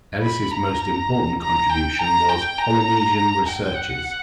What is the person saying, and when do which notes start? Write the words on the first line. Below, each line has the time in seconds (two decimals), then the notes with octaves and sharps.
Ellis' most important contribution was "Polynesian Researches".
0.21 B5
0.51 A#5
1.40 A#5
1.69 G5
1.99 A#5
2.29 G5
2.58 A#5
3.48 G5
3.77 F#5